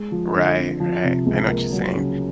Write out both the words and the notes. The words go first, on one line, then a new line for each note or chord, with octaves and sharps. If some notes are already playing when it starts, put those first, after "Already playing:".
Right, right, I know what you're saying.
Already playing: G#3
F3
D3
C4
F3
C3
C#2
A#3
F#3
C#3